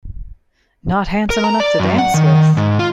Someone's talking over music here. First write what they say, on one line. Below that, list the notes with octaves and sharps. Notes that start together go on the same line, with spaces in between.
Not handsome enough to dance with!
A#4
A#5
D5
F#2
F#5
D#3
G#2
F4